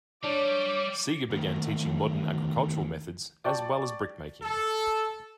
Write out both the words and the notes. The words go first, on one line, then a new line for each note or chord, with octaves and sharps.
Seger began teaching modern agricultural methods as well as brick-making.
G3 D4 C#5 D6
D2 D#3
D5 G5 A5 C#6
A4